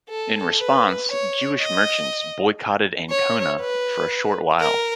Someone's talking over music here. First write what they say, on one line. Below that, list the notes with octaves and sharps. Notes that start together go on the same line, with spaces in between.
In response, Jewish merchants boycotted Ancona for a short while.
A4
B4
C#5
D#5
C#5
B4
A#4